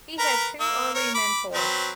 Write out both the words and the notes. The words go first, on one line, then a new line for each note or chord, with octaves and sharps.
He had two early mentors.
A#4 B4 A#5
A#3 E6
A#4 C#5
B5 D6
F#3 C4 B4